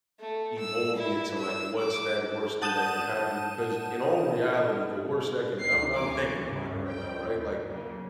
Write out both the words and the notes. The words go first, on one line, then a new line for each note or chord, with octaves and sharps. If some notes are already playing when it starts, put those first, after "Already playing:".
evolving it to, like, what's that worst thing that can happen? Because in all reality, the worst that can I'm I'm thinking about it right now, right? Like
A3
E6
E4
E6
D6
F#5 A5 D#6 G6 D#7 E7
D2 C7
D2 E3 C#5 G#5 D6
G2 C#3
F2 G5
D#2
C#3 F#3 A#3